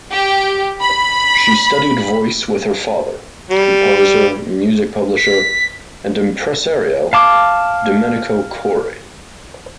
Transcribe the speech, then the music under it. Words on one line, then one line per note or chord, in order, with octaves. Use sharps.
She studied voice with her father, composer, music publisher, and impresario Domenico Corri.
G4
B5
G3
B6
F5 A5 D6